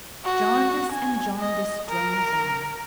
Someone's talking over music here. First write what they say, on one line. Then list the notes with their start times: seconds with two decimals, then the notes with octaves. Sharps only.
Jarndyce and Jarndyce drones on.
0.25 F#4
0.93 G#5
1.40 D#5
1.88 A#4